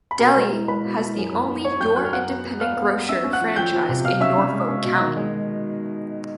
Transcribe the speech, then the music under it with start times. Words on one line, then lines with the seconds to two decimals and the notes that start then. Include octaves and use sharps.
Delhi has the only Your Independent Grocer franchise in Norfolk County.
0.11 B5
0.20 B2 A#4 A#5
0.36 G#3
0.52 E4
0.68 G#3 B4 B5
0.84 B2
1.00 E4
1.17 F#2
1.32 F#2
1.48 B3
1.65 B3 C#5 C#6
1.80 F#2 G5 G6
1.96 F#3 F#6
2.05 F6
2.12 F#2 F#5 F#6
2.29 B3
2.45 B3
2.60 B3 F5 F6
2.77 B3
2.93 B3
3.09 C#4 E5 E6
3.24 C#4
3.33 F#5 F#6
3.41 F3
3.56 F3 G5 G6
3.73 F3
3.89 C3
4.04 B2 F5 F6
4.21 C#4 E5 E6
4.37 C#4
4.53 G#3
4.69 C#4
4.85 B2
5.01 D#3
5.17 G#3